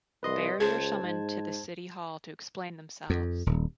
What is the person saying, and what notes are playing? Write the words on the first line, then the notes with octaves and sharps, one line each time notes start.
The Bears are summoned to the City Hall to explain themselves.
C2 B4 D#5 C6
C#2 G#4 C5 A5 G#6
G#2
F2
D#1